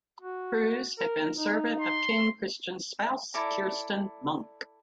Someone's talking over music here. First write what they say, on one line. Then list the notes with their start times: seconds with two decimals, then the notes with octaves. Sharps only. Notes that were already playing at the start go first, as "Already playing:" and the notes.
Kruse had been servant of King Christian's spouse, Kirsten Munk.
0.21 F#4
0.99 A#4
1.38 D#4
1.81 C6
3.34 E4 A4 D5 A#5